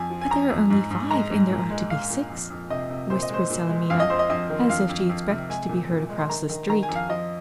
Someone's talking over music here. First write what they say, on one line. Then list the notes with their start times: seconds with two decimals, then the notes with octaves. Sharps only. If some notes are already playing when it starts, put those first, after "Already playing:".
"But there are only five, and there ought to be six," whispered Salemina, as if she expected to be heard across the street.
Already playing: F2 G#5
0.10 F3
0.21 G#5
0.30 F2 A#5
0.50 F2
0.70 G#2
0.91 G#2
1.11 G#3 A#5
1.31 G#2
1.51 A#2
1.70 G#3
1.90 G#3 F5
2.10 A#2
2.30 F2
2.50 F2
2.70 C3 D#5
2.90 C3
3.10 A#2 C5
3.22 D#5
3.30 G#3 C5
3.50 A#2
3.69 G#3
3.90 F2 F5
4.00 D#5
4.10 F2 C5
4.19 D#5
4.30 F2 D#5
4.50 D#3
4.69 F2 F5
4.89 F2
5.10 F2
5.29 C3
5.49 G#3 G#5
5.69 A#2
5.90 A#2
6.10 G#3
6.19 C6
6.29 D#3 A#5
6.49 D#3
6.69 D#3 A#5
6.83 G#5
6.89 F2
6.95 F5
7.09 F3 D#5